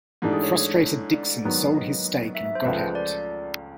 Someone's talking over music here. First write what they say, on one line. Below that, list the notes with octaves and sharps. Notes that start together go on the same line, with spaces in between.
A frustrated Dixon sold his stake and got out.
G#2 E3 A3 D4 G4
G#4
C#5
D5
G#2 D#3 F#3 B3
D#5
E5
E5
C5
C#2 C#3 F3 A3 B4
C5
D5